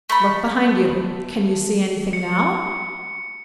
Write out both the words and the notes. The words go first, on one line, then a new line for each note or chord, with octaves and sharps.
'Look behind you! can you see anything now?'
A3 B5
C#7